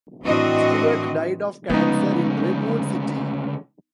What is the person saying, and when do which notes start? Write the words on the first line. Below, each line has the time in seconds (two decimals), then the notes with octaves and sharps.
Stuart died of cancer in Redwood City.
0.24 A2 E3 C4 D4 F#4 D#5
1.70 D2 C#3 F3 G#3 B3 D#4